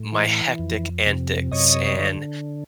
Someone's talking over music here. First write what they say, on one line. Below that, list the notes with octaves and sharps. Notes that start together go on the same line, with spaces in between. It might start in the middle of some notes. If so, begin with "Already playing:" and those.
my hectic antics and
Already playing: A2
E3
F2
C3
F#2 C#5 D#5
D3